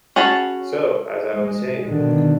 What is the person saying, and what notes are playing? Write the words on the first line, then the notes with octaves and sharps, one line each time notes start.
So, as I was saying.
C#4 F#4 G#4 A5 B5
G#3
B2 D3 D#3